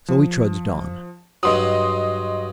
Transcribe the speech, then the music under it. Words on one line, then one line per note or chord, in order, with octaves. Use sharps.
So he trudged on.
F3
G2 F#3 D#5 C6 D#6